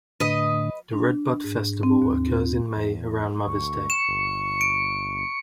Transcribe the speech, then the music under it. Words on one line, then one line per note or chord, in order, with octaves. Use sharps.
The Redbud Festival occurs in May around Mother's Day.
A2 D3 B4 D#5
D4
G#2
C4
D#2
F4
E2
D2 C#6
C#7 E7
G1
D7